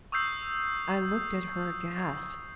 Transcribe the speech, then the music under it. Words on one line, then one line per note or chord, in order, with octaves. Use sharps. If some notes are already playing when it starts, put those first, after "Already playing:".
I looked at her aghast.
C#6 D#6 E6 G6 C7